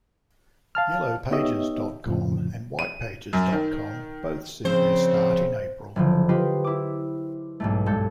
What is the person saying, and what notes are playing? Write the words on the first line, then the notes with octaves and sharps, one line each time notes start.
Yellowpages dot com and Whitepages dot com both see their start in April.
F5 A5 F6
B3 D#4 G4 C#5 D#5 E5
F2 A2 C#3 F3
D#7
F#2
D#3
C#3 F3 C4 C5
F#1 D3 F3
F4 G4 B4 C5 D#5
E4 D6
B1 G#2 A3
G2 G#3 A4 G6 C#7